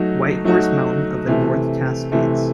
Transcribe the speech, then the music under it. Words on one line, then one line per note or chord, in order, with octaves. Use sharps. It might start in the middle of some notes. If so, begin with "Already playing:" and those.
Whitehorse Mountain of the North Cascades.
Already playing: F#3 A3 D#4 F#4
F#3 A3 D#4 F#4
C3 E3 A3
C3 E3 A3